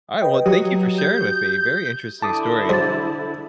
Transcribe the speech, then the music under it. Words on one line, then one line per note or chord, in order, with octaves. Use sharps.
Alright, well, thank you for sharing with me, very interesting story.
B4 D#5 G5
F#3 F#4 G4 D#6
G6
D3 E4 A5 D6 D#6
F#3 G#4 C5 D#5 A6